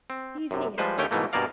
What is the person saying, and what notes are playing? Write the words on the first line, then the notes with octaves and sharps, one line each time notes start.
He's here.
C4
F#2 C3
F3 G3 G#3 B4 C5
D#2 D3 A3 C#4 C#5 G5
G#2 B2 E3 A3 A#3
G2 B2 A#3 A#4 D5 F5